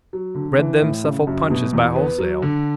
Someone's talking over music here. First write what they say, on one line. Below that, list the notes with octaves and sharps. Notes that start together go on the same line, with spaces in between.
'Bred them Suffolk Punches by wholesale?'
F#3
D3
E3
A2
C#3
F#2
B2
E2
B3
F#3
D3